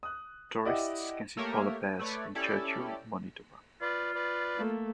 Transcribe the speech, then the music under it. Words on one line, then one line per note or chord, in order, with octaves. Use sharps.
Tourists can see polar bears in Churchill, Manitoba.
D#6 F#6
E4 G4 D5 D#5 F#5 D6
A3 A#3 G4 A#4 C#5 E5
A3 B4 C#5 D5
C#4 E4 G4 A4 D5
F4 B4 D5
B4 D5
A3 A#3